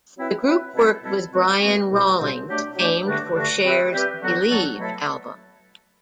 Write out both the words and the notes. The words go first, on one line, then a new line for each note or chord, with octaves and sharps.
The group worked with Brian Rawlings, famed for Cher's "Believe" album.
F#3 C4 E4 B4 E5
F#3 C4 E4 B4 E5
B2 G3 C4 E4 A4
B2 G3 C4 E4 A4
B2 A3 C4 F#4
B2 A3 C4 F#4
C2 B2 G3 C4
C2 B2 G3 C4
F#3 A3 D4 G4 D5
F#3 A3 D4 G4 D5
G2 D3 A3 D4 F#4
G2 D3 A3 D4 F#4
G3 C4 G4 B4 E5
G3 C4 G4 B4 E5
D3 F#3 B3 F#4 A4
D3 F#3 B3 F#4 A4
B2 F#3 A3 E4 A4